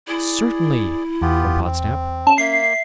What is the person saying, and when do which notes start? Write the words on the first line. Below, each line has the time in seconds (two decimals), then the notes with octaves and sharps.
'Certainly!' From Podsnap.
0.08 E4 G#4 D5
1.22 E2 B3 F4 G4
1.64 C4
2.27 C#4 A5
2.38 A#3 E5 C7